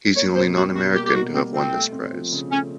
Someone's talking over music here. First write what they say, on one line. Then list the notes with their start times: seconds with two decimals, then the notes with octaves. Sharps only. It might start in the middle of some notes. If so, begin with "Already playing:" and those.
He's the only non-American to have won this prize.
0.16 A#3 C#5
0.36 B2 C5
0.55 G3 F#4
0.75 B2 F#4
0.94 A#3 G4
1.05 G4
1.14 B2 F#4
1.34 G3 C4
1.53 B2 C4
1.74 A3
1.92 C4
2.13 F3
2.33 C#3
2.51 A3 C#4